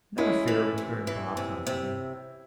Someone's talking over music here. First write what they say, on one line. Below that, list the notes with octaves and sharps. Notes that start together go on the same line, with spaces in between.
"Never fear," returned Bob confidently.
G#3 C#4 E4
E3
C3
E3
C3
C3